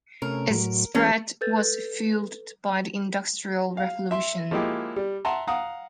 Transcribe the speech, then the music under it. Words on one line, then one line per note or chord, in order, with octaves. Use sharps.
Its spread was fueled by the Industrial Revolution.
C3 A3 C#4 A#4
A2 F#3
E3 G#3 B3 C#4
A4 B4 G6 A6
F5
E5 C6
F3 G#3 A#3 D#4 E4 G4
G3
E5 F#5 A5 A#5 C6
F5 F#5 A#5 D#6